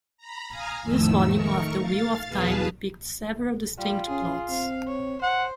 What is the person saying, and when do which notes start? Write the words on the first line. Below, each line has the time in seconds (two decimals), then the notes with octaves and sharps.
This volume of "The Wheel of Time" depicts several distinct plots.
0.17 A#5 B5
0.49 F5 G#5 A#5 D#6 F6
0.82 F2 A2 D#3 F3 A3 E6
1.27 D#3 A3 A#4 C#6
1.76 F5 A6
2.27 E2 B2 G#4 B4 F5 A5
3.79 G3 F4
4.09 C#4 G#4
4.50 C4 F5
4.88 C#5
5.23 C5 F#5